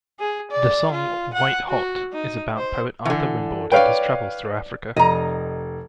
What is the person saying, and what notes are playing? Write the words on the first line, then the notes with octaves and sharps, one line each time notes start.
The song "White Hot" is about poet Arthur Rimbaud and his travels through Africa.
G#4
D5
F4
F#5
F#4
D#4
C5
D3 E3
B4 C#5 D5 F5 G5
F1 D#5 A#5